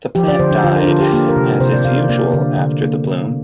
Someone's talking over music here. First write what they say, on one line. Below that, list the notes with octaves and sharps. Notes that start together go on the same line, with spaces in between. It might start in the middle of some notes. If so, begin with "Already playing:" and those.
The plant died as is usual after the bloom.
F3 G4
D5
D3 C5
D4
D3 F4
A#4
D4
D3 F4
G4
A#3 G4
A#4
C3
C3 C5
D5
C3 F5
D5
A#3 D5
D3
D3
A#3
D3